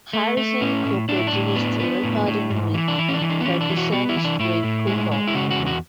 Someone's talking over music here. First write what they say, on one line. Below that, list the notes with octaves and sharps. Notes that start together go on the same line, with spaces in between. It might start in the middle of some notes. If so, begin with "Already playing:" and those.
Harrison co-produced the recording with percussionist Ray Cooper.
A3
A3
A2 C#4
A2
A2 D4
E4
D4
A2
B3
B3
A2
A2
G#2
E3
D4
E3 E4
C#4
D4
E3
D4
B3
E3 C#4
D4
E3
F#4
B3 F#4
E4
E3
D4
A2 E4
A2
G#3
G#3
E4
C#3 F#4
F#4
E2
F#4